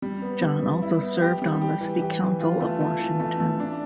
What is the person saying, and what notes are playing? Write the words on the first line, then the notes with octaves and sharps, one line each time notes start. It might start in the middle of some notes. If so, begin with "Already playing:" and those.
John also served on the City Council of Washington.
G3
B3
G3
G3
E4
B3
G4
G3
G4
E3
G4
E3
F4
A3
A3
E3
A3
A3
D4